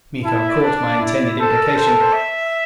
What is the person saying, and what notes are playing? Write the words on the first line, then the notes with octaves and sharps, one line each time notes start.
Miko caught my intended implication.
E4 A5
E5
D5
D4
E4
A4 C5
A#4
A#4
A4 C5
A#4
C5
E5